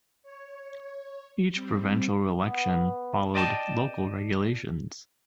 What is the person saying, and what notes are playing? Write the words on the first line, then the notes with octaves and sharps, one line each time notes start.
Each provincial election followed local regulations.
C#5
G3 C4
B3
D5 D#5 G5 A5